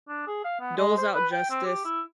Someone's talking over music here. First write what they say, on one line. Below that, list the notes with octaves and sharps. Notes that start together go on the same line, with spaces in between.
doles out justice,
D4
G#4
F5
B3
G#3
C5
B4
G5
C4
G4
E4